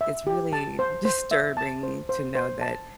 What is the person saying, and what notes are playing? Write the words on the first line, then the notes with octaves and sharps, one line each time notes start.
it's really disturbing to know that
E5
G4
A5
C5
C5
E5
A5
C5
C5
C5
A5